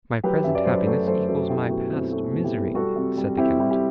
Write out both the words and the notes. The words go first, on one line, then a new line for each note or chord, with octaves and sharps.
"My present happiness equals my past misery," said the count.
F#3 G4 B4
F#2 E5
D5
F#3 C5
B4
A3 F#4 A4
F#3 A4 C5
F#2 F#4 A4
A3 E4 G4
B2 F#4
C4 E4
A3 F#4
B2
E4 G4
B2
G3 F#4 A4
C3
G3
C4 E4 G4
G3 E4
G4